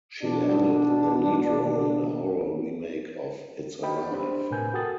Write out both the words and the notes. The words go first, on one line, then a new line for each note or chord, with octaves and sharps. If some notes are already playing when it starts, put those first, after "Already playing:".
She landed the lead role in a horror remake of "It's Alive".
B2 D4
D#5 G5 B5
D4 G4 C5 B5
A2 C3 A#4 B4 G#5 G6
F#4 A4 A#4 G5 D#6 A6